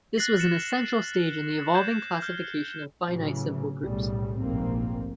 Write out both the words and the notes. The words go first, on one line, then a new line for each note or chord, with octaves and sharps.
This was an essential stage in the evolving classification of finite simple groups.
F#6 A6 A#6 C7 F#7
F6 A6 C#7 E7
G6 G#6 C7 E7
F6 G6
A2 C#3 E3 F#3
B1 A2 C#3 G3
F1 A#1 G#2 A#3 C4